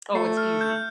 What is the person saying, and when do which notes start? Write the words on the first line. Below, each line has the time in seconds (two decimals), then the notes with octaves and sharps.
Oh, it's easy,
0.15 A3 C7
0.37 F6
0.61 G6